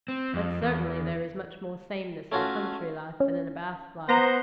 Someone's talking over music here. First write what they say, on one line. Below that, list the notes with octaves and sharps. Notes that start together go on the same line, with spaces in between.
But certainly there is much more sameness in a country life than in a Bath life.
C4
F2
E2
A3 C#4 F4 F#4
C#4
B3 C5 A#5 A#6